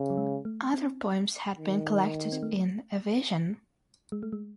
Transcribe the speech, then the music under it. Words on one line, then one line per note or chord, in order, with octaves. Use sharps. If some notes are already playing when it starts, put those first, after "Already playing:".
Other poems had been collected in "A Vision".
Already playing: C#3
F#3
G#3
A3
C4
D#3
C4
A3
G#3
A3
G#3